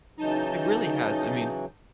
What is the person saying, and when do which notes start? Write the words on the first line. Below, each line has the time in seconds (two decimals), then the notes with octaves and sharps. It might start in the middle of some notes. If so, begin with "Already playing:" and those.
it really has. I mean,
0.17 C#3 E3 F#3 D#4 A5 G6